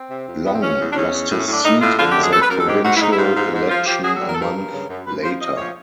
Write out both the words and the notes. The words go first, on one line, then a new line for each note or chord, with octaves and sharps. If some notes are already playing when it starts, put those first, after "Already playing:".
Long lost his seat in the provincial election a month later.
Already playing: C4
C3
F2
F2 B3
C4
E2 C#4
E2
D4
E2 C#4
E2
A2
C#4
A2 D4
A2 D#4
A2 F4
D3 F4
G4
F#2
G#4
F#2 A4
B4
F#2 A#4
A4
G#2 G4
G#2 F#4
E4
G#2 D#4
E4
G#2
F4
G#2
G#2
F3 F4
F3 G4
F#3 G#4
A4
G2
A#4
A4
G2 A#4
G2
C#3
F#2
F#2 B4
F3 C5
F3 D#5
F3 C#5